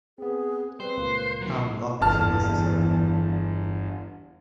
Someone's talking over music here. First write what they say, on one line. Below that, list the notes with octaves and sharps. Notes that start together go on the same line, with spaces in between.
Ann, that was unnecessary!
B3 C4 G#4
G3 C4 B4 C5
C#2 A#2 A#3
D3 F#3
G1 E2 A5 F6